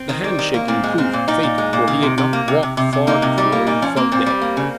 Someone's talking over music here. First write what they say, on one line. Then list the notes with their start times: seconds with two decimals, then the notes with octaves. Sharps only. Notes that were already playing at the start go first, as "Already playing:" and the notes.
The hand-shaking proved fatal, for he had not walked far before he fell dead.
Already playing: C4
0.09 D#3
0.24 G3
0.39 D#3
0.54 A#3
0.68 A#2 C4
0.83 G#3
0.98 A#2 C4
1.13 A#2
1.28 A#2 D#4
1.43 A#2
1.58 G#3
1.73 A#2
1.88 D#3
2.03 C3
2.18 C3
2.33 A#3
2.48 C3
2.63 C3
2.77 C3
2.93 C3
3.07 A#3 D#4
3.22 C3
3.38 G3
3.52 A#3
3.67 A#2 D#4
3.82 F3 C#4
3.96 A#3 C4
4.12 A#2 C4
4.26 G3
4.41 A#3
4.57 C#3